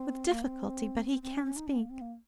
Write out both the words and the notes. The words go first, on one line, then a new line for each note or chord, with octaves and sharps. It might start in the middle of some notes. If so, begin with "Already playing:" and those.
"With difficulty, but he can speak."
Already playing: C4
A#3
C4
C4
C4
C#4
C#4
D#4
C#4
A#3
C4
A#3